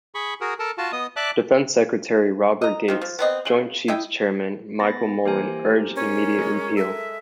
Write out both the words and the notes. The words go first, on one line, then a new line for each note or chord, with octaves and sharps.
Defense Secretary Robert Gates, Joint Chiefs Chairman Michael Mullen urged immediate repeal.
G#4 B5 C#6
F#4 G#4 A#4
A4 A#4 A5
F4 F#4 A5
B3 D#5 D#6
D5 E5 A5 D6 F#6
D#5 A#5
D#3 F3 C4
F3
B3 C4 D#5
C#3 G#3
E4 D#5 G5
B3 B5 A6 A#6
E3 A#3 G4 C5 G#5
C#4 A#4
G#3
A4 E5